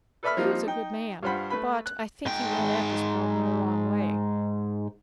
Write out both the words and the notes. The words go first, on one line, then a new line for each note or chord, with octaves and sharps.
He was a good man, but I think he went at this problem the wrong way.
A4 B4 D5 E5 B5 F6
F3 G3 A#3 C4 D#4 F4
D#4 G5
G2 G3 F4 C5 F#5 B5
A3 B4 B5
F#6
G#2 G5